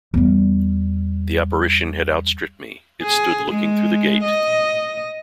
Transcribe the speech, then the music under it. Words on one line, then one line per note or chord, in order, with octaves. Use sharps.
The apparition had outstripped me: it stood looking through the gate.
E2 G3
G#4
G#3
D#5